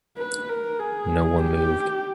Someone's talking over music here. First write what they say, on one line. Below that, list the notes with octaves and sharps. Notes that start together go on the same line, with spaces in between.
No one moved.
B4
A#4
G#4
G4